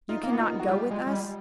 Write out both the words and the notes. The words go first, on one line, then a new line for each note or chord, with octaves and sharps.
"You cannot go with us!"
D#4 F4
A#3
B3
A#3 D#4 F4
F#4
G3 F4 G4
G#3
G#3
G3